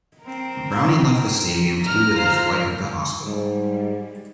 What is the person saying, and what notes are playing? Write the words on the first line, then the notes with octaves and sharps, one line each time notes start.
Browning left the stadium to be with his wife at the hospital.
C4 A#4
A#5 F6
F4 C5
G#2 G3